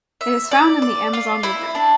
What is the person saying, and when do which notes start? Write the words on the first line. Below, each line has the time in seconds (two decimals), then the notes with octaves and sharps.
It is found in the Amazon River.
0.21 E5
0.51 D5
0.82 D5
1.13 F4
1.43 E4
1.75 D4